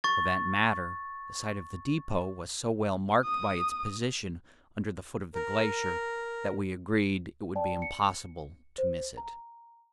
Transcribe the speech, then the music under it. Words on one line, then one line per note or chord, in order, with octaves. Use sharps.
For that matter, the site of the depot was so well marked by its position under the foot of the glacier that we agreed it would be impossible to miss it.
C#6 A6
D#6
A#4
D5 G5 A5
C#7
C5
A#5